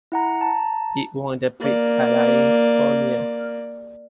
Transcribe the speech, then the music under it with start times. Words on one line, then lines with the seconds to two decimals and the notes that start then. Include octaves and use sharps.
It won the Prix Alain Fournier.
0.12 E4 F#5 A#5
0.41 A5 A#5
1.60 A#3 D5